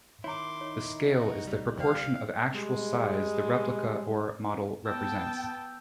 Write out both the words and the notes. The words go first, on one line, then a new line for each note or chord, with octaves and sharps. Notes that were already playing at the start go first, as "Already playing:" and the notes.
The 'scale' is the proportion of actual size the replica or model represents.
D#3 E4 C#5 A#5 C6 D6
D#4 C#5
F#4
C2 G3
C5 D5 F5 G5
G3 G#3
B3 G5 A5 E6 G6